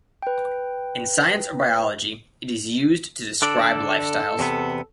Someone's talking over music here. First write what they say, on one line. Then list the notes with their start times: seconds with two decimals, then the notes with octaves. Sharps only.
In science or biology it is used to describe lifestyles.
0.22 B4 G5
3.42 D3 D4 A4 D5
4.39 E2 C3 B3